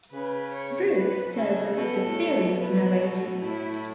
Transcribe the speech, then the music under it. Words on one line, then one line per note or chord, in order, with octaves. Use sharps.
Brooks served as the series narrator.
C#3 B4
C#5
B4
C#3 A4
B2 A4
A2
B2
B2 B4
A4
A2 E4